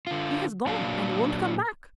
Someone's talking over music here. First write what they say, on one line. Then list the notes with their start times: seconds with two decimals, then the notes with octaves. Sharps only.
He has gone, and won't come back!
0.07 D3 F4
0.67 A#2 F#3 D4 F5